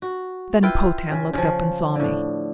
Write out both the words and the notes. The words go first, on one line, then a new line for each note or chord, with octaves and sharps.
Then Potan looked up and saw me.
F#4
E4 F4 B4 G5
C#3
C#3 F3
A2 D3